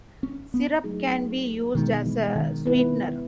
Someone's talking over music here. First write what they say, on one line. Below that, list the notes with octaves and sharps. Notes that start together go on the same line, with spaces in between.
Syrup can be used as a sweetener.
C#4
B3
F#3 A3 D#4 G#4
B2 D#3 G#3 D#4
E3
D#3
B3 E4 B4